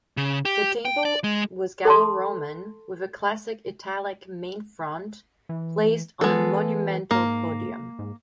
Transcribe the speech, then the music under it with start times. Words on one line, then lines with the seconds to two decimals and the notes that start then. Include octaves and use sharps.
The temple was Gallo-Roman with a classic-Italic main front placed on a monumental podium.
0.17 C#3
0.45 G4
0.85 G5
1.05 D5
1.24 G#3
1.85 A4 A5 C6
5.49 E3
6.21 E3 G#3 B3 A4
7.11 G#2 A#3
7.99 G#2